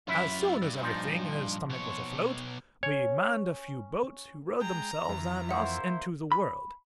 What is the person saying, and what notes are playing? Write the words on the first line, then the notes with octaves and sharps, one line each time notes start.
As soon as everything in his stomach was afloat, we manned a few boats, who rowed themselves and us into the world.
F#2 E4 F4 B4 E5
G2
A#2 F3 D#4
B2 C#5
C#4 C#5
G#3 G5 A#5
F2 E3
A#3 E4 C5 E5 F#5 C#6
B5